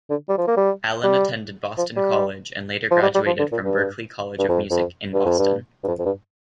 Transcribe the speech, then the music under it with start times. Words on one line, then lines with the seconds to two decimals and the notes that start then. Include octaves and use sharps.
Allen attended Boston College and later graduated from Berklee College of Music in Boston.
0.10 D3
0.29 G3
0.38 F3
0.47 A#3
0.57 G3
1.03 G3
1.77 F3
1.96 G3
2.91 F3
3.02 G3
3.14 G3
3.26 F3
3.39 D3
3.52 A#2
3.64 G2
4.38 G2
4.49 F2
4.70 F2
5.13 G2
5.25 F2
5.39 G2
5.83 G2
5.87 F2
5.99 F2
6.05 G2